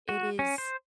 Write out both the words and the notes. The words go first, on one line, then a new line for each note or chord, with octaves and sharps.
It is
F#4
C#4
C5